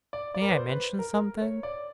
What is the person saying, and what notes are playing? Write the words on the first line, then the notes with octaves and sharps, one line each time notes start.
May I mention something?'
D5
D5
A#4
B4
C5
B4
A#4
A#4
C#5
D5